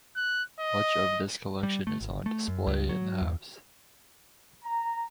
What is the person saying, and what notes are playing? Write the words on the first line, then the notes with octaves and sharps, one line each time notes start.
Much of this collection is on display in the house.
F#6
D#5
G3
A3
G#1
A3
F#2
C#2
F#3
E2
A#5